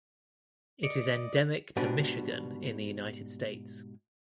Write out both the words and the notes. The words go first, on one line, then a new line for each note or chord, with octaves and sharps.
It is endemic to Michigan in the United States.
D5 D#5 C#7 D7
G#2 B2 G3 D4